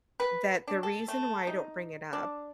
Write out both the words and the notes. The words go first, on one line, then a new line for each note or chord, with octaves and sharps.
that the reason why I don't bring it up
B4
D4
A4
A3
D#4
D4